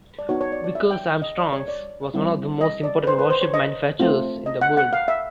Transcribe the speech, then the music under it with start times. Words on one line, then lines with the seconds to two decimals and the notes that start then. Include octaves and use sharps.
Vickers-Armstrongs was one of the most important warship manufacturers in the world.
0.19 D5
0.29 B3 D#4 F#4 C#5
0.41 C#5
0.52 D5
0.64 D5
0.75 E5
0.91 G5
1.22 D#5
1.38 D5
1.53 C#5
1.68 D5
2.14 G3 C4 E4
2.61 D#5
2.83 D5
3.03 B4
3.07 C5
3.19 B4
3.30 C5
3.42 C#5
3.54 D#5
4.00 A3 C4 F4
4.46 D#5
4.61 F#5
4.77 F#5
4.93 F5
5.08 E5